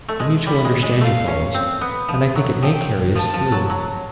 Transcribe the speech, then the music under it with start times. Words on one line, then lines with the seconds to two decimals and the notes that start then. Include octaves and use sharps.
A mutual understanding follows, and I think it may carry us through.
0.08 A3
0.20 G#3
0.46 G3 B5
0.65 G#3
0.83 G#3
1.01 A3 F5
1.27 C#4
1.54 C4
1.81 B3
2.08 F3
2.35 F#3
2.62 F3 G5
3.15 F3 A5
3.34 F3
3.52 F#3
3.70 F#3